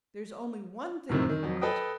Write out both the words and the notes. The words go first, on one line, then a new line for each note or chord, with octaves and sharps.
"There's only one thing we want."
F#2 A2 C3 D#3 C4
D#3
F2 F#3
A4 B4 D#5 G5 D#6